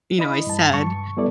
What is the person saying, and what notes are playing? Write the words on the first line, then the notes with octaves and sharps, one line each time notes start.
you know, I said"
E4 D#5 B5
G2 A5
G2 A5 C#6
G3 B3 E4 A4 D5